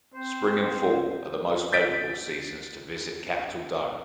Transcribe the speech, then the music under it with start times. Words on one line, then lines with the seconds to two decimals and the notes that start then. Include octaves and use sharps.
Spring and fall are the most favorable seasons to visit Capitol Dome.
0.14 C4 C5
1.73 G6 A6 B6 D7